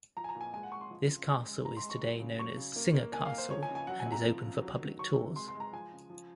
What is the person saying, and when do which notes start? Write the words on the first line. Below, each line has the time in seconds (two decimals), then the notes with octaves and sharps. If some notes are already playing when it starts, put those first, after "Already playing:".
This castle is today known as Singer Castle and is open for public tours.
0.17 F3 A#5
0.24 G#5
0.29 A#5
0.35 A#2
0.41 G#5
0.53 G#3 G#5
0.63 F#5
0.72 G#3 C#6
0.81 C6
0.90 F3
1.10 C#3
1.28 G#3
1.46 G#3
1.64 G#3 A#5
1.77 C6
1.83 G#3
1.90 C#6
2.02 F#3
2.20 C#3
2.39 F#3 C#6
2.57 C#3
2.76 A#3
2.95 A#3
3.13 A#3 G#5
3.25 F5
3.32 A#3
3.38 C5
3.50 F3 C#5
3.63 G#5
3.69 C#3
3.75 G#5
3.87 F#3 F#5
4.00 G#5
4.06 C3
4.12 A#5
4.25 F3
4.43 C#3
4.62 F#3
4.80 D#3
4.99 F#3 C#6
5.18 C3
5.36 G#3 C6
5.48 C6
5.55 G#3
5.60 A#5
5.72 F3 G#5
5.92 C#3
6.10 F3